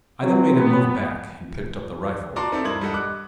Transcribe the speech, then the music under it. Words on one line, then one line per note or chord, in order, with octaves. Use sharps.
I then made him move back, and picked up the rifle.
E3 F#3 C4
B3
F#4 D5 A5 A#5 C6 D6
C4 D#4 E4 A4 D5
G2 A#4 C5 D#6 G#6 F#7
G3 A4 D#5 F#5
D6 F#6